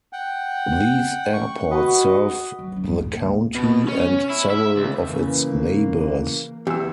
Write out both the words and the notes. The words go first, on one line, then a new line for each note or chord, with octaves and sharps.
These airports serve the county and several of its neighbours.
F#5 G5
C#6
F#4 B4 D#5
F#3
F#3 C#4
G2
D2 A2
A#3
B2
C#4
E4
E5
C#2
C#3 E3 A#3
E2 G4 E6